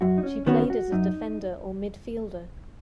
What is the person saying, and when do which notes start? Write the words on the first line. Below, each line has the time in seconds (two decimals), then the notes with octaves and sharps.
She played as a defender or midfielder.
0.01 F#2 F#4
0.18 D#4
0.23 C#4
0.46 D#3 B3 C#4 F#4
0.70 F#4
0.92 F#2 D#4